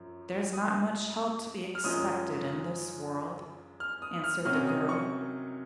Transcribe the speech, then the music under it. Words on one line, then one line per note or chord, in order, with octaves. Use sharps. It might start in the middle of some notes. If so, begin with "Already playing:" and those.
'There's not much help to be expected in this world,' answered the girl.
Already playing: F#2 F3
D#6
F6
F#2 F3 G#3 C#4 D#6
F6
D#6
F6
C3 D#3 F#3 C#4 F6
D#6
C#6